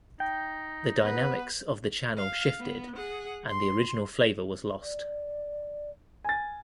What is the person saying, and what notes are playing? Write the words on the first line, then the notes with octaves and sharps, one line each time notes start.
The dynamics of the channel shifted and the original flavor was lost.
D#4 G5
B3 B4
F5
B3
G#4 F#5
C6
D5
G#5 A6